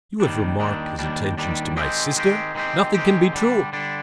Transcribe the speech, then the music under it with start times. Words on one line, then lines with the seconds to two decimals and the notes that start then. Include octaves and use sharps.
You have remarked his attentions to my sister! Nothing can be truer!
0.20 D#2 D#3 G3 D4
0.59 D#2 D#3 G3 D4
0.99 D#2 D#3 G3 D4
1.37 D#2 D#3 G3 D4
1.77 D#3 G#3 C4 G4
2.16 D#3 G#3 C4 G4
2.55 D#3 G#3 C4 G4
2.94 D#3 G#3 C4 G4
3.33 D3 G3 D4
3.73 D3 G3 D4